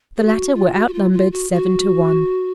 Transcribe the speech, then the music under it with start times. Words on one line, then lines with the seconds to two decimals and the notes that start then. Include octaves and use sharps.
The latter were outnumbered seven to one.
0.17 G#4
0.25 F#4
0.54 F4
0.74 F#4
0.87 F#4
0.93 F4
1.13 F4
1.32 F#4
1.51 F#4